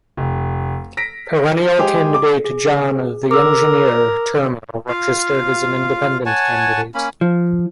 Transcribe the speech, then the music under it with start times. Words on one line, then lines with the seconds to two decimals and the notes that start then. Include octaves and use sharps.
Perennial candidate John "The Engineer" Turmel registered as an Independent candidate.
0.17 F1
0.97 A#6 B6 D7
1.78 G#3 G4 G#4
2.14 D6
2.44 G#4
3.31 A#4 D6 E6
4.89 F4 F5
6.26 C#5 F#5 G#5 A5
6.95 A#3 C#4 B5
7.21 F3